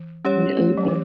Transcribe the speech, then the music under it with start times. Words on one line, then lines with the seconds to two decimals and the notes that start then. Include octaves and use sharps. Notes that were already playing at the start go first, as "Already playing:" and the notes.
And able.
Already playing: E3
0.25 G3 C#4 G4 C#5
0.57 A3
0.77 F#3
0.88 E3